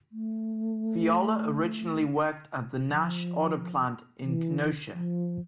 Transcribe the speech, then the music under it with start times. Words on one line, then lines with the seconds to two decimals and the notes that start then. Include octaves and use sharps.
Fiala originally worked at the Nash auto plant in Kenosha.
0.12 A3
2.87 F3
4.23 E3
4.92 F3